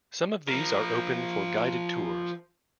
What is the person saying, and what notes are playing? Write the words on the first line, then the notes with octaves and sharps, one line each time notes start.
Some of these are open for guided tours.
F3 A#4